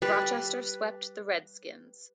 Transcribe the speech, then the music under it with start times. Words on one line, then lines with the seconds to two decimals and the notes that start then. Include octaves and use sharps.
Rochester swept the Red Skins.
0.02 G3 B4